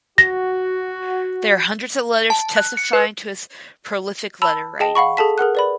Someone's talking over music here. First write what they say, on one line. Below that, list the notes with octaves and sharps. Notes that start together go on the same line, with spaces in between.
There are hundreds of letters testifying to his prolific letter writing.
F#4 A#6
A5
F#6
C#7
B4
A5 B5 E6 F7
G#4 D#5 G5 A5 E7
F5 F#5 B5 C#6
G#4 A4 A5 B6
G#4 A#4 F#5 F#6
B4 D5 B5